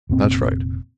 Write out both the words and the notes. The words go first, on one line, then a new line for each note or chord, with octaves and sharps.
That's right.
F1 A#2 C4